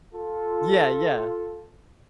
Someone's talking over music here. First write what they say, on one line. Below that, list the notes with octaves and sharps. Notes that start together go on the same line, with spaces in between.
Yeah, yeah.
F4 A4